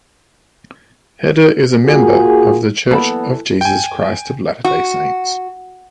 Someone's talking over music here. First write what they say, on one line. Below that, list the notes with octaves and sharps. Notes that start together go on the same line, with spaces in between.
Heder is a member of The Church of Jesus Christ of Latter-day Saints.
A#3 F4 F#4 G#4
E3 F#3 A#3 B3 A4 D5 A5 B5
G5 G#5
F#4